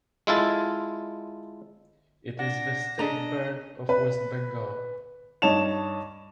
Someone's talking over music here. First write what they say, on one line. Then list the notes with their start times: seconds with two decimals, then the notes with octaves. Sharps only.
It is the State bird of West Bengal.
0.27 G#3 E4 F4 A4
2.39 D4 F#5 A#6
2.99 D4 G#4 D5 D#5 A#5
3.89 B4
5.42 G2 D#4 C#5 A5 E7 F7